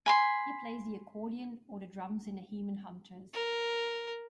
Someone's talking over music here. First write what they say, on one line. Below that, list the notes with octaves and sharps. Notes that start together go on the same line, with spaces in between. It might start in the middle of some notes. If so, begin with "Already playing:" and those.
He plays the accordion or the drums in the Heman Hunters.
G#5 B5 C6
A#4